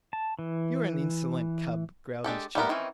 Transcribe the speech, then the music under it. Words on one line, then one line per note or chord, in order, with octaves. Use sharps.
"You are an insolent cub," growled his Chief.
A5
E3
G#3 D4 G4 A4
G3 A3 B3 A#4
D#3 E3 C4 C#4